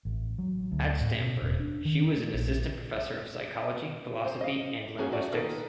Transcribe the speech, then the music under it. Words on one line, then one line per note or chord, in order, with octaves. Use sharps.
At Stanford, she was an assistant professor of psychology, philosophy, and linguistics.
A1
F#3
D2
A2
B2
E1
D4
D#3
A3
A#1
C5
D#5 F5
A#3 C#4 D#4 F#4 G#4
A3 F#4 D5
D#3 A#3 D#4 A4 B4